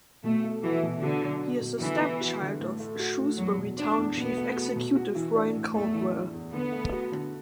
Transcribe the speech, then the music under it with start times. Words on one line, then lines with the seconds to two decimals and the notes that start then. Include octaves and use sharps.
He is the stepchild of Shrewsbury Town chief executive Brian Caldwell.
0.24 B2 A3
0.44 A3
0.63 E3 F#4
0.83 B2
1.02 D3 F#4
1.22 F#3
1.42 D4
1.62 B2
1.81 D3 E3
2.01 B3
2.21 F#4
2.40 D3
2.60 A2
2.79 A3
2.99 F#4
3.19 A2
3.38 E2 F#3
3.58 B2
3.78 B3 D4
3.97 E2
4.17 B2 B3
4.37 A3
4.56 F#4
4.76 B2
4.95 F#4
5.15 E3
5.35 D4
5.55 A2
5.74 E2 A3
5.94 E3
6.13 D4
6.33 E2
6.53 D3 B3
6.72 A3
6.92 F#4
7.12 D3